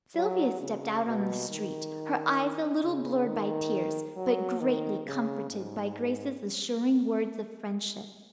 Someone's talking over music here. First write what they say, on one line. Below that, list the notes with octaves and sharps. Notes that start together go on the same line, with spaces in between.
Sylvia stepped out on the street, her eyes a little blurred by tears, but greatly comforted by Grace's assuring words of friendship.
F#3
C#3
B2
D#3
C#3
D#3
F#3
D#3
C#3
G#2